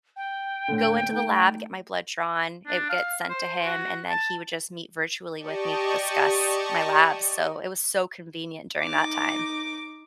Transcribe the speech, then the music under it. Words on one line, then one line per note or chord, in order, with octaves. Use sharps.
go into the lab, get my blood drawn, it would get sent to him, and then he would just meet virtually with me to discuss my labs, so it was so convenient during that time.
G5
A2 D3
A3 D#4
D4
F5
C5
F#4
A5
G4 D5 D#5 A5 C#6
D#4 D6